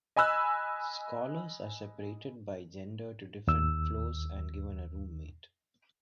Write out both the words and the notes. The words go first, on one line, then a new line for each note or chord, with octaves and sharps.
Scholars are separated by gender to different floors and given a room mate.
D#5 G#5 B5 E6 F#6
D#2 E6